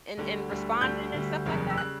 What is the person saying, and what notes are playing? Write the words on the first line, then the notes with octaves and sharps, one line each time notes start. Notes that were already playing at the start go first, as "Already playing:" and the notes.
and and responding and stuff like that?
D2 D3 G3
D2 D3 G3
D2 D3 G3 G6
D2 D3 G3
F#1 E2 C#3 G3
E6
C#3 G3 F#6